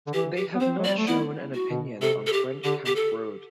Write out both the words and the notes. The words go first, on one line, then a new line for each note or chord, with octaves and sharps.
They have not shown an opinion on French Camp Road.
D3
E3 G4
G4
B3
C4 C5
F#3
D5
G3
A3
B3 E4
F#4
B2
C3 A4
A4
G4
D3 G4
G4
A4